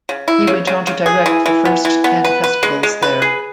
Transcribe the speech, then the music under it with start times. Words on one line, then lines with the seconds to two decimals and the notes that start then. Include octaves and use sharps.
He went on to direct the first ten festivals there.
0.09 C#3
0.28 E4
0.47 C#3
0.67 C#3
0.87 C#3
1.06 G#4
1.26 E3
1.46 E3
1.65 B3
1.85 E3
2.04 B3
2.24 B4
2.44 B4
2.63 G#3
2.83 G#3
3.02 B4
3.22 G#4